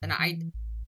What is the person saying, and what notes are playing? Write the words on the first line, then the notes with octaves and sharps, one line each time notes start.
and I'd
G2
E3
A1